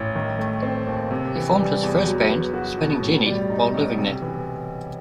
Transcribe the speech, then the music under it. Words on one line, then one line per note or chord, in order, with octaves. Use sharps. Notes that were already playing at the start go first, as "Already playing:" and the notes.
He formed his first band, Spinning Jenny, while living there.
Already playing: A1
D#3
A3
C4
D#2
C3
E3
G3
E2
F#3
B3
F#4
B2
A2
G3
D#4
B1
C3
E3